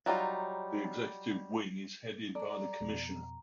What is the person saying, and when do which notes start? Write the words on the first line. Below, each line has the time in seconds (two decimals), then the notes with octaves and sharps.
The executive wing is headed by the Commissioner.
0.06 F#3 G3 D#4 F4
2.35 D4 F#4 A4 D5 A#5
2.81 F2 B2